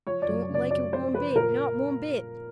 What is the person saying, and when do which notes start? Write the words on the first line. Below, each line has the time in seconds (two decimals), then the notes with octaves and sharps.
Don't like it one bit, not one bit!
0.07 F3 C#5
0.22 D5
0.27 F#2
0.49 C#3
0.54 D5
0.71 F#2 D5
0.93 F3 C5
1.14 F3 B4
1.36 A#2 A#4